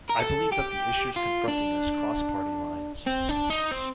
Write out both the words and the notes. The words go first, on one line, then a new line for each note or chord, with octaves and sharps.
I believe that the issues confronting us cross party lines.
A#4
A4
G4
F4
D4
C4
D4
D#4
C4